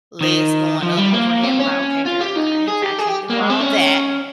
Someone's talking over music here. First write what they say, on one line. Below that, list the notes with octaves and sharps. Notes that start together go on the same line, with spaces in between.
Legs going up over here, I'm like, "Okay, girl, now I ain't I can't do all that,"
D#3
F3
G3
A#3
C4
C#4
F4
G4
D#4
G#4
G4
G#4
G4
A#3
G#3
C4
C#4